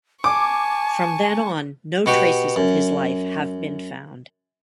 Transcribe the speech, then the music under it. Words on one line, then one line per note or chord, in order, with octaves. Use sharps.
From then on no traces of his life have been found.
G#5 A5 C#6 D6
B2 F#4 G4
F#2